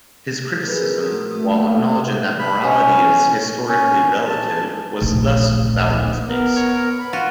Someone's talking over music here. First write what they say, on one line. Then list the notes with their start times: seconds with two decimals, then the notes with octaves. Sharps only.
His criticism, while acknowledging that morality is historically relative, was thus values-based.
0.68 G#4 A#4 B4
1.03 F#4 A#4 D#6
1.32 A3 D#6
1.51 A#3 F#5
1.69 F5
2.39 B5
2.63 C#4
3.68 C#4
4.27 A5
5.02 D1 A#1
6.27 B3 A#4
6.56 C#5
6.98 B5
7.13 F4 F#4